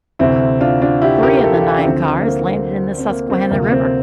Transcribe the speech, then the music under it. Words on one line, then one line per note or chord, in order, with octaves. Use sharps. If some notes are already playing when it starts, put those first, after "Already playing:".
Three of the nine cars landed in the Susquehanna River.
D2 C3 E3 C4 E4
D4 F4
D4 F4
E4 G4
G4 A#4
A#4
F4 A4
G4
F4
E4
D4
D2 D3 F3 C4
A#3
C4
C4
A#3
C4
D2 C3 F3 A#3
C4